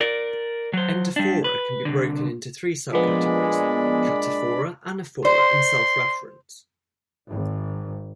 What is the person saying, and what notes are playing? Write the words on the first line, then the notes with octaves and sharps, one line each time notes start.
Endophora can be broken into three subcategories: cataphora, anaphora and self-reference.
A#4 D5
F#3 C5
G3 D4
B4
C2 D3
A#2 F3 G#3 B3 D4 D5 B5
C5 D5 C6
G#1